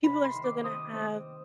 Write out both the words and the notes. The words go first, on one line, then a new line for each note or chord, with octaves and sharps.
people are still gonna have
C3 B5
C6
D#3
D6
C4 D#6
C4